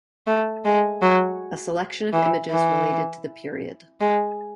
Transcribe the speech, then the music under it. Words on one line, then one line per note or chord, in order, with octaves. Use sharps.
A selection of images related to the period.
A3
G#3
F#3
E3
E3
G#3